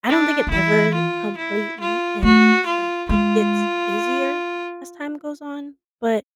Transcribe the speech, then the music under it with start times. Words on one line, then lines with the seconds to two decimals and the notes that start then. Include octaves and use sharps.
I don't think it ever completely ends, like, it gets easier as time goes on, but
0.09 D4
0.47 D#3
0.51 E3 E4
0.94 F4
1.37 E4
1.80 F4
2.23 A3 F#4
2.66 F4
3.09 G#3 F4